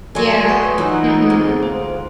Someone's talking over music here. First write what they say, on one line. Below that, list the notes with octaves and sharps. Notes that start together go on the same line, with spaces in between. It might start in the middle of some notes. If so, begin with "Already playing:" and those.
Yeah. Mhm.
F#3 G#4 A4 D5 C6
B3 C6 C#6
E3 D#4 F4 C#5 F#5 E6
D2 C4 G#4
F4 C5